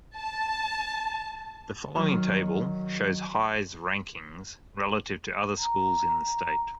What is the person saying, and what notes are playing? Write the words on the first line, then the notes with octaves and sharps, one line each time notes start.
The following table shows High's rankings relative to other schools in the state.
A5
D#3 F#3
A#5